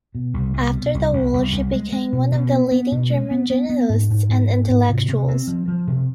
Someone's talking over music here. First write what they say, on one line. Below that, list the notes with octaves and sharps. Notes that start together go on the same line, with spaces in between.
After the war, she became one of the leading German journalists and intellectuals.
B2
C2
C2
B2
C2
C2
C2
C2
G#3
G#3
B2
B2
B3
B3
B2
G#3
B3
B3
B3
G#2
G#2
G#2
B3
G#2
C3
C3
C4
F3
F3
C3